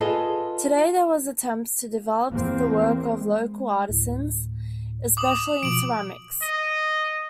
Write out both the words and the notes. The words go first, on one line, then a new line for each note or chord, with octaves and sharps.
Today there are attempts to develop the work of local artisans, especially in ceramics.
F4 G#4 A4 B4 D#5
E2 A#3 C4
G#3
D2 A2
D6 D#6 F#7
B2 F3 D7 F#7
D#5